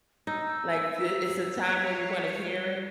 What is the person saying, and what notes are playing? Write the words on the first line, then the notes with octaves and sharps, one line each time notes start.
like, th it's a time where you wanna hear it
D#4 E6
C#5 F5 B6
G3 G7